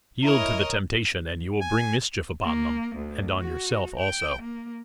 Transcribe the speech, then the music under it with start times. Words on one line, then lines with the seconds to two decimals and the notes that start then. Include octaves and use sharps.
"Yield to the temptation and you will bring mischief upon them--and on yourself also."
0.24 E4 A#4 C#5 D#5
1.61 G#5
2.44 A#3
2.96 D2
3.40 F#4
3.98 G5
4.42 A#3